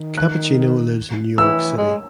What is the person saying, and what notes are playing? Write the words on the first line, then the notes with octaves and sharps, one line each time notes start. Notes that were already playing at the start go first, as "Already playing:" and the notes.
Cappuccino lives in New York City.
Already playing: D#3
F#6
E3 E6
G#3